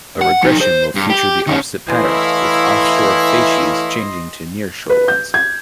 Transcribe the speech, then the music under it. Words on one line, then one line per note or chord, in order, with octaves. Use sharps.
A regression will feature the opposite pattern, with offshore facies changing to nearshore ones.
F#5
F3 D#4
C5
G2
G4
D#3 C#4
E3 A3 E4 C#5 D#5 F5 C6
B4
G6
G#6